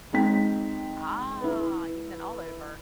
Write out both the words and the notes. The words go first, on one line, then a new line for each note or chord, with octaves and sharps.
Ah, you've been all over.
G#3 C4 D#4 G5 B6
E4 B4